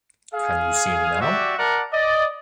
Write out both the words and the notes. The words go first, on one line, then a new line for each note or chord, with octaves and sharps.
Can you see me now?
G#4 F5
F#4 G4 D5 E5 F#5
A#4 D5 F#5 A5 D6
D5 D#5